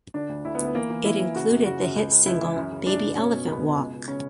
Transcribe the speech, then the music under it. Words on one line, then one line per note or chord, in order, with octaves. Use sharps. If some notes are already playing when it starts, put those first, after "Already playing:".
It included the hit single "Baby Elephant Walk".
D3 D4
D2
D2 E4
B3
D2
B3
E3 A#3
E3
E3 E4
E3
C#3 F#4
F#2
C#3 F#4
F#2
C#2
C#2
C#2 E4
E3
F#2
C#3
F#2 D4
F#2
B2 C#4
B2
C#2 B3
B2
C#2
C#2
C#3 C#4